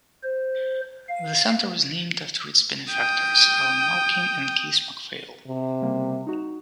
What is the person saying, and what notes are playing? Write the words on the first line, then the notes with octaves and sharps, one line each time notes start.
The centre is named after its benefactors Allan Markin and Keith MacPhail.
C5
F5
G5 D#6
C3
C#3 G3 A#3
D#4 F#4